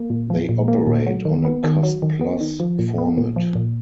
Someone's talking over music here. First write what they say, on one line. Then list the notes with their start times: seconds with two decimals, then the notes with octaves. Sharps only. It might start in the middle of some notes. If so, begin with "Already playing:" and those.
They operate on a cost-plus format.
Already playing: A#3
0.10 A#2
0.30 F3
0.49 A#2
0.68 A#3
0.87 A#2
1.07 F#3
1.25 D#3
1.45 B3
1.64 D#3
1.83 F#3
2.02 D#3
2.21 B3
2.41 D#3
2.60 F3
2.79 A#2
2.98 B3
3.17 A#2
3.36 F3
3.55 A#2